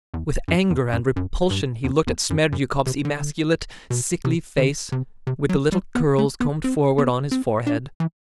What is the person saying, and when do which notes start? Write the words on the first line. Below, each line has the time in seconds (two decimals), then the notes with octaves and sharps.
With anger and repulsion he looked at Smerdyakov's emasculate, sickly face, with the little curls combed forward on his forehead.
0.14 E2
0.48 F#2
0.70 E2
0.93 F#2
1.16 F#2
1.51 G2
1.84 E2
2.07 E2
2.30 F#2
2.52 F#2
2.86 C3
3.05 D3
3.90 B2
4.24 C3
4.58 D3
4.92 C3
5.27 C3
5.49 F#3
5.72 G3
5.95 B3
6.18 A3
6.40 B3
6.64 C4
6.98 B3
7.32 C4
7.67 D4
8.00 E3